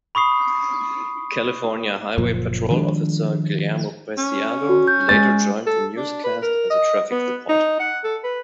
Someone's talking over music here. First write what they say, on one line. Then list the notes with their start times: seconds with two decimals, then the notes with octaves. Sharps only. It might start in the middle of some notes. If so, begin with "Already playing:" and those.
California Highway Patrol officer Guillermo Preciado later joined the newscasts as a traffic reporter.
0.15 B5 C#6 D#6 C7
2.18 F#1 A#2 F3
2.70 D#3 F3 G#3 D4
4.18 C#4
4.69 F#4
4.88 G6
5.09 G#3 A6
5.66 A4
5.97 D4
6.24 B4
6.42 A#4
6.70 D#5
7.11 B3
7.49 D#4
7.80 F#5
8.04 A4
8.24 B4